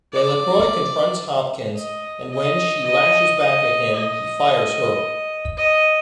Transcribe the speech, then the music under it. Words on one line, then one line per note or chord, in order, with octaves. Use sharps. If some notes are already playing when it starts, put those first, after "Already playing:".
Delacroix confronts Hopkins, and when she lashes back at him, he fires her.
D5
D#5
D#5
D#5
D#5
D#5
D#5